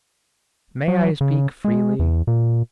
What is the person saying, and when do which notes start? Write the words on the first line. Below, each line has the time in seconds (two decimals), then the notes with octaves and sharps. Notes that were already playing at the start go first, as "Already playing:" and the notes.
May I speak freely?
0.88 F#3
1.21 C#3
1.65 G#3
1.99 E2
2.27 A#2